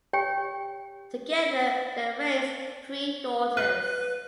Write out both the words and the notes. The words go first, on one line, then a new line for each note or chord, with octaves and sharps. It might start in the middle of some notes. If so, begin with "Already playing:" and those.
Together they raised three daughters.
G4 C#5 G5
B4 F#6